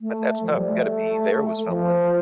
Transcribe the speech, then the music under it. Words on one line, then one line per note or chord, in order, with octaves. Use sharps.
But that's tough, you gotta be there with someone.
A3
F3
G3
A3
F3